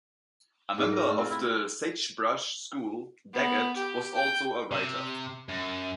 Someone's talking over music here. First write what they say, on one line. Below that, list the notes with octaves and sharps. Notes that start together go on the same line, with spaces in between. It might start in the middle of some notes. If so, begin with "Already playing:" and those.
A member of the Sagebrush School, Daggett was also a writer.
G#2
A#4
A3
C4 F4
E4
B3
G4
G5
C3
F#2